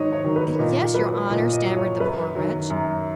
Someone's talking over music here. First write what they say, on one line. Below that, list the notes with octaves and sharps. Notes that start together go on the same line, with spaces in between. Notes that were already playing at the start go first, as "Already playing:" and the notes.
"Yes, your Honour," stammered the poor wretch.
Already playing: G#2 D#3 F#3 C#5 D#5
C#5
D#3 F#3
B4
A#2 D#5
F#3 B4
A#2 D#5
D#5
F#3
C#5
F#2 B4
D#3 F#3
F#2